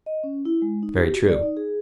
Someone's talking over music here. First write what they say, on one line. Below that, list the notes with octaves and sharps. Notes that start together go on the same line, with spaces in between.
Very true.
D#5
C#4
E4
G#3
D#4
G4
F#4
D5
D#4
G#4